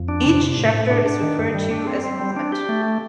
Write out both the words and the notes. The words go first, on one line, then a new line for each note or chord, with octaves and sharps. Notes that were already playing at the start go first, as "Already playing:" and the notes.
Each chapter is referred to as a movement.
Already playing: F2
D4
C3
C3
A2
A2
D4
D4
D#3
G2
G3
D4
C4
C4
G3
D4
G4
A3